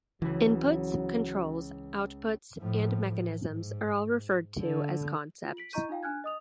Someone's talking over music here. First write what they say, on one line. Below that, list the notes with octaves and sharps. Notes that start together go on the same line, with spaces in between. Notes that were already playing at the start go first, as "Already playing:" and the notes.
Inputs, Controls, Outputs, and Mechanisms are all referred to as concepts.
C#2 E3 F#3 B4
A2 F3
G#2
D3
F4
B6 D7 F#7
E4 D#5 A#5 C#6 G6 D#7
D#4 F4 F5 G5
D4 G#5 F6 F#6 G#6
D#5 D#6 F7